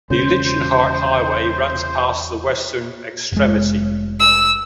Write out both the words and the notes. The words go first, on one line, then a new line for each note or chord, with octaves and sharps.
The Leichhardt Highway runs past the western extremity.
E1 C#3 C#4 C5
F1 G#3
E6